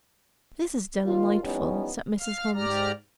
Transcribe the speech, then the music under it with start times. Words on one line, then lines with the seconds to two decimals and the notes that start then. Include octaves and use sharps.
"This is delightful," said Mrs. Hunt.
1.06 D#2 F4
1.43 E3 F3 G3 B3 C#4 D#4
2.19 F5 F6
2.54 G#2 G4 D5 A#5 F6